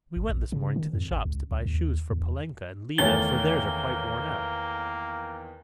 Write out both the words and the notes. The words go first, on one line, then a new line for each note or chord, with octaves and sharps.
We went this morning to the shops to buy shoes for Polenka and Lida for theirs are quite worn out.
G1
A#1
C#3
D#3
F2
G#1
C#2
C#2
D#2
E2
E2 D#3 A3 A#3 C#5 A6 G7